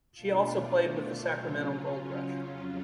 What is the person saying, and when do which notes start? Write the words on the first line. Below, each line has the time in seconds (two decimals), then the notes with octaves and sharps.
She also played with the Sacramento Gold Rush.
0.15 B2 A3 D4 F4
1.28 C#3 F#3 C#4 F4
2.43 F2 C#3 F#3 C#4 F4